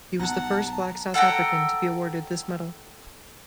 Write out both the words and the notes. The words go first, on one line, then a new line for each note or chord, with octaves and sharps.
He was the first black South African to be awarded this medal.
B1 F#5 A5 A#5
A4 F#5 G5 A#5